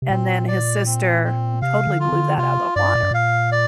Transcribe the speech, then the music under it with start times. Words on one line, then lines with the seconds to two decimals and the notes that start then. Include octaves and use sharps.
and then his sister totally blew that out of the water,
0.02 C3
0.10 A#2 C4
0.48 D5
0.86 C4
1.24 C4
1.62 C3 F5
1.87 D3
2.00 F4
2.12 D3
2.38 C3 F4
2.76 G2 D5
2.95 A#2
3.03 G2
3.11 A#2 F5
3.52 D5